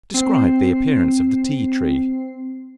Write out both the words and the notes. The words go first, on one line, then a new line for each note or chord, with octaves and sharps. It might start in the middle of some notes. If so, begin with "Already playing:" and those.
Describe the appearance of the Tea-tree.
C4 C7